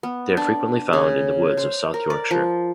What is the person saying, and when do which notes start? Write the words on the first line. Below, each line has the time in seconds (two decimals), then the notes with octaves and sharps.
They are frequently found in the woods of South Yorkshire.
0.03 B3
0.37 D4
0.93 C#3
1.57 C5
1.94 A#4
2.10 D5
2.31 F3